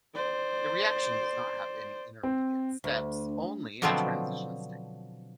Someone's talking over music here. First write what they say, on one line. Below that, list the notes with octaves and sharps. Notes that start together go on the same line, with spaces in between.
The reaction does not have any intermediate steps, only a transition state.
C5 D5
C4
D2
B2 D3 F3 F#3 B3 C4